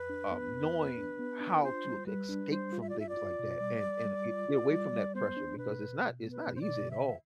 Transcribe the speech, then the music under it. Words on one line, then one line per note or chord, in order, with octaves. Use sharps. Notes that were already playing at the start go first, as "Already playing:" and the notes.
um, knowing how to ca escape from things like that, and and i get away from that pressure, because it's not it's not easy at all.
Already playing: F2 B4
D4
B3
F2
B3
D4
B3
D4
F4 C5
G3
G3 B4
D4
G3 C5
F4
E5
D5
F4 E5
D5
F4
B2
G3
G3
G3
F4
F4
G3
G3
B3 C5
D4
B2 B4
B2
B2
B3
B4
B2
C5
D5
B2
D3 E5